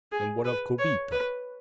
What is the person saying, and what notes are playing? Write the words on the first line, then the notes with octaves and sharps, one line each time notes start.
"And what of Kobita?"
G#4
B4
C#5
B4